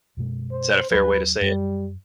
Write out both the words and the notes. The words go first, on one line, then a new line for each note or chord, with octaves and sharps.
Is that a fair way to say it?
F#2 B2 G#3
C5
D#2 F#3 B4
F#2 G3